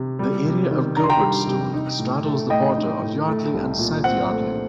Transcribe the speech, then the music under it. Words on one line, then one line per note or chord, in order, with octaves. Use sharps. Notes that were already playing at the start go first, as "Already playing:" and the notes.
The area of Gilbertstone straddles the border of Yardley and South Yardley.
Already playing: C3
G3
C3
D#3
D4 A#5
C6
G5 A#5
G3
C3
D#4
A2
A3
A2 D#5 G5
D#4
A2
A3
C2
A#2
C4 F#5
A3